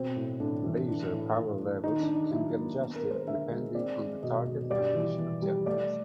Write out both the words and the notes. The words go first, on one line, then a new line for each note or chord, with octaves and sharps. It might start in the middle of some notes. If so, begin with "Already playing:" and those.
Laser power levels can be adjusted depending on the target and mission objectives.
Already playing: B2 C4
A2
A2 D4
E3
E3 D4
A2
A2
A2
D#3 D#4
D4
D#3
D#4
F#3 E4
A#3
B3
A#4
G#3
C5
D3 E5
G#3
C4 D5
G#3
B2 D#5
B2
G3 D5
E3
E3
G3
A3 D5